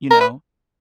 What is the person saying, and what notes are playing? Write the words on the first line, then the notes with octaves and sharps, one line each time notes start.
you know,
A#4
B4